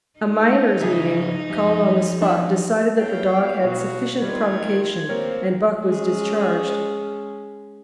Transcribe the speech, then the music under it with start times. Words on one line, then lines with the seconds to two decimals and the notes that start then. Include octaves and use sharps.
A "miners' meeting," called on the spot, decided that the dog had sufficient provocation, and Buck was discharged.
0.20 D#4
0.82 C#3 F3 G#4 E5
1.50 F3 G4 E5
2.22 D4 E4
2.99 B3 E4 C#5 F5 G5
3.64 B2 F#4
4.22 D#3 G3 A3 F4 G#6
5.09 A#3 C4 A#4 C#5
5.84 G#3 C#4